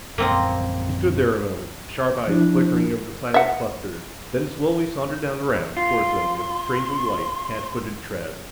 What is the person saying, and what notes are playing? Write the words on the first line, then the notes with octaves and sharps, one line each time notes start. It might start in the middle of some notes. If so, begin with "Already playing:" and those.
He stood there a moment, his sharp eyes flicking over the silent clusters, then slowly sauntered down the ramp toward them with a strangely light, catfooted tread.
A#1 F#2 A#3 C4 D#5
F3 D4 E4
E5 F#5
F4 C6